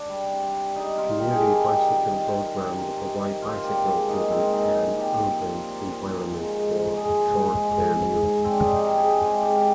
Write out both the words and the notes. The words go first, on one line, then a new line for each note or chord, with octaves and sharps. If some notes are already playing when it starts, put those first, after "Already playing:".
Community bicycle programs provide bicycles within an urban environment for short term use.
Already playing: D4
G3
C3
G3
G3 D#4
C3 F4
D#3 G4
G#4
D#3 G4
G3 G4
D#3
D#3
C3
C3
C3
D#3
C3
F3 F4
A#2 G4
G#3
A#2 D#4
G#3 C4
A#2 D#4
A#2
F3 G4
F3
A#2
A#2
A#2
F3
G#3
G#3
A#2
F3 G#4
G#2
G#3
G#3
G#2
G#2
G#2
C4
G#2 D4
D#4
F4
F3 G4
G#2 G#4
G#3 G4
G#2 G4